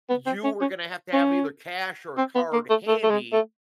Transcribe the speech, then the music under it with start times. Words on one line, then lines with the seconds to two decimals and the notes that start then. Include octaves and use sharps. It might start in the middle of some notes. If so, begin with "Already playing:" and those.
you were gonna have to have either cash or a card handy
0.09 B3
0.26 C4
0.44 C#4
0.61 C#4
1.13 C#4
2.17 C4
2.35 B3
2.53 A#3
2.70 A3
2.87 A3
3.03 A3
3.10 G#3
3.33 A3